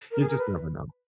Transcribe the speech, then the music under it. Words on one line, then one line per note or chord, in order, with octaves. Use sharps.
you just never know.
A#4
G#4
A#4
B4